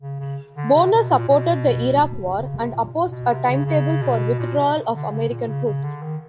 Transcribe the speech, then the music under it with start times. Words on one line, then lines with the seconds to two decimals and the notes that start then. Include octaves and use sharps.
Bonner supported the Iraq war and opposed a timetable for withdrawal of American troops.
0.02 C#3
0.20 C#3
0.57 D3
0.75 C3
0.93 B2
1.10 A#2
1.29 B2
2.20 C3
2.39 C#3
2.57 C3
2.75 A#2
2.94 A#2
3.12 B2
3.30 C3
3.48 C#3
3.66 C#3
4.02 B2
4.39 A#2
4.57 C3
4.94 D3
5.11 C#3
5.30 A#2
5.48 C#3
5.66 C#3
5.84 D3
6.03 D#3